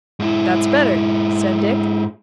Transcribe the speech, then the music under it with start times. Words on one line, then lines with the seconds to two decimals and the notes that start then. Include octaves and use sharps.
"That's better," said Dick.
0.20 G#2 E4